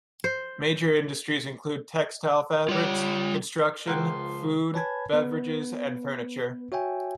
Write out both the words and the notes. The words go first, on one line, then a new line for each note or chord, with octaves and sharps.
Major industries include textile fabrics, construction, food, beverages, and furniture.
C5
G3 F4 C#5
C#2 F3 A#4 F#5 G5 C6
B4 C#5 G#5 A5 B5 G#6
B3 B4
F#4 C#5 E5 G5 G#5